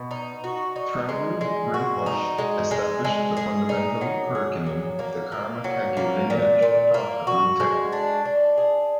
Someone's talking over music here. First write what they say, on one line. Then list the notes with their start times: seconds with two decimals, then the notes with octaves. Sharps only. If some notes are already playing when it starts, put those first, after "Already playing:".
Thrangu Rinpoche established the fundamental curriculum of the Karma Kagyu lineage taught at Rumtek.
Already playing: B2
0.11 D#4
0.44 F#4
0.76 D#4
1.09 G#3
1.41 G#3
1.74 F#4
2.06 D#4
2.38 G#3
2.71 G#3
3.05 G#3
3.37 G#4
3.69 D#4
4.01 F#3
4.35 G#4
4.67 F#3
4.99 A#3
5.32 A#3
5.64 F#3
5.97 A#3
6.30 A#2
6.62 A#2
6.94 A#3
7.27 F#4
7.60 G#3
7.92 D4
8.25 D4
8.57 G#4